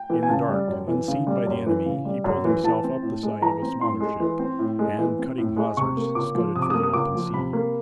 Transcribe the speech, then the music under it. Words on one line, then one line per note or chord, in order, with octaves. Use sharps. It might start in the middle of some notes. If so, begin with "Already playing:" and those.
In the dark, unseen by the enemy, he pulled himself up the side of a smaller ship, and, cutting hawsers, scudded for the open sea.
Already playing: G5
E3
G#5
C#3 A5
G3
F#2
E3
C#3
G3
F#2
E3
C#3
G3
F#2
E3
E3 A5
C4
A2
G#3
E3 A#5
C4
A2 C6
G#3
E3
C4
A2
G#3
E3
C4
A2
G#3
C3 C#6
A#3
C#2 D6
F3
C3 D#6
D6
A#3 D#6
D#6
C#2 D6
F3
C3 B5
A#3